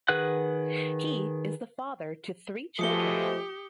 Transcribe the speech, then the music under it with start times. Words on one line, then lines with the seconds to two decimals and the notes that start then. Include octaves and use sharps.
He is the father to three children.
0.08 D#3 G#4 B4 F#5 F#6
2.79 B2 F3 G#3 A3 G4 D#6 C#7 G7